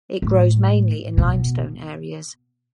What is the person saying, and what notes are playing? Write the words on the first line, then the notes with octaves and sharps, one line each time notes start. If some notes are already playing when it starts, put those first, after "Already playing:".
It grows mainly in limestone areas.
A2
B2